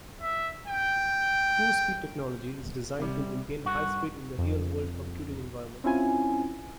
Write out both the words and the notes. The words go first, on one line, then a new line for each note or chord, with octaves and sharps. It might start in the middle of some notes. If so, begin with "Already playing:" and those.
True Speed Technology is designed to maintain high speed in the real-world computing environment.
E5
G5
C3 G3
G2 F#4
F2
C4 C#4 E4 F4 G#5